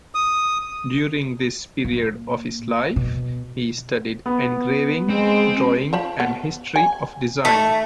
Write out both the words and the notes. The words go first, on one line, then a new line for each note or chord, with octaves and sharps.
During this period of his life he studied engraving, drawing and history of design.
D#6
A#2
B2
B3
G#3 C4
F3 C5 B5
B3
G#5
D#3 A3 E5